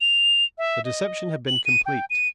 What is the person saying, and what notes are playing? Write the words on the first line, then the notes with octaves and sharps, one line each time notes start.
The deception had been complete.
F7
E5
D#5
F#7
D#7
G5
D#7